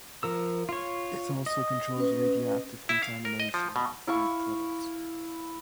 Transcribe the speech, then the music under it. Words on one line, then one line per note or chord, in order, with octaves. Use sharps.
It also controls radioactive contamination of food products.
F3 A#4 E6
F4 C#5
D#5
C#4 B4
E4
F5
A#4
D#5
F3
B2
E4 F5 C#6